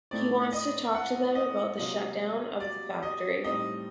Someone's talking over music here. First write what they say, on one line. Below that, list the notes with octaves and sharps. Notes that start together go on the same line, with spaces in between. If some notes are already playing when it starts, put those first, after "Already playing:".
He wants to talk to them about the shutdown of the factory.
A2 A3 C4 D#4 D5
D#5
F#5
D#5
C3 F#3 A#3 D#5
D5
D#5
A2 G3 C4 D#4 D#5